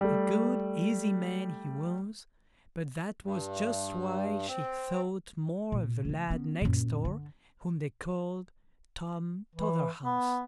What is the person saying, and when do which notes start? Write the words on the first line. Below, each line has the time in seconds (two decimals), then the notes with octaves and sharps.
A good, easy man he was, but that was just why she thought more of the lad next door, whom they called 'Tom Totherhouse'.
0.01 G3 A3
3.25 G2
4.48 C4
5.72 A#2
6.05 C#3 A3
6.30 B3 C#4
6.61 F#2 A#2
7.05 D3
9.55 E3
10.04 B3